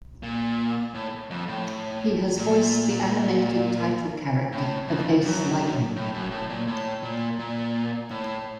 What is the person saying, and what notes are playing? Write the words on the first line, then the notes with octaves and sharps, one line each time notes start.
He has voiced the animated title character of Ace Lightning.
A#2
A2
F2
A2
A#2
A2
F2
F#2
A2
F#2
A2
A#2
A2
A#2
A#2
A2